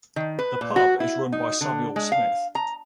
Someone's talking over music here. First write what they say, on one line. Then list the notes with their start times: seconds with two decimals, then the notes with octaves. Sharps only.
The pub is run by Samuel Smith.
0.16 D#3
0.39 B4
0.61 A#2
0.76 F#4
1.00 E4
1.32 D#4
1.61 D3
1.96 G#3
2.12 F5
2.55 A#5